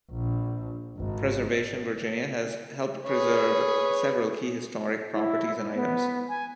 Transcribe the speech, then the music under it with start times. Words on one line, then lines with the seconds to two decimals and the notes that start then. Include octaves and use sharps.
Preservation Virginia has helped preserve several key historic properties and items.
0.11 A#1
0.97 G#1
3.06 G#4 B4 C#5
5.13 E4
5.75 B3
6.29 G#5